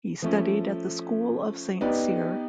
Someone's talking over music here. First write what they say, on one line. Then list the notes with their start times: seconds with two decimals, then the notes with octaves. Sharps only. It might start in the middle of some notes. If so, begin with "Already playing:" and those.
He studied at the School of Saint Cyr.
0.22 F3 A3 C#4
1.81 B3 D#4 G4 B4 D5